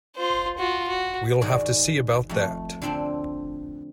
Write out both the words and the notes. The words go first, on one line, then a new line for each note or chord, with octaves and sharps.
We'll have to see about that.
F4 C5
F4 F#4
F#4
G#2 D#3 F#4 G#4 D5
F2 A3
D3 F3 C4 D4 C5